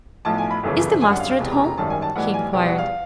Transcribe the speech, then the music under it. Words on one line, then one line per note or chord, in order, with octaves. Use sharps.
"Is the master at home?" he inquired.
B1 A2 F3 A5
G#5
B5
G1 F#2 C#3 E3
F#2 D3 G3 G#5
F#5
F5
F5
E1 E2 C3
A#5
A#5
G#1 F#2 D#3 G3 A5
G#5
A5
B1 A2 E3 G3 F#5
G#5
E2 B2 G3 G5
F#5
F5